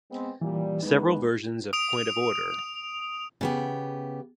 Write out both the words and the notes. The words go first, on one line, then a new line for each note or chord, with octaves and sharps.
Several versions of Point of Order!
G#3 B3 C4
A#2 E3 G3
E2 G#3 D#4 B4
D#6 D7 F7
C#3 B3 G4